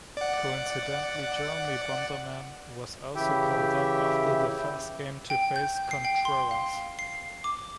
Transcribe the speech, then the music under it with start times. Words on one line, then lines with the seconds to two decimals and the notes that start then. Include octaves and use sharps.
Coincidentally, Jeremy Bonderman was also called up after the first game to face Contreras.
0.17 D5 F#5
3.15 C#3 E3 E4 G4 E5 G5
5.30 G5
5.56 G6
5.91 C7
6.05 G5
6.25 C6
6.51 F5
6.99 C7
7.44 D6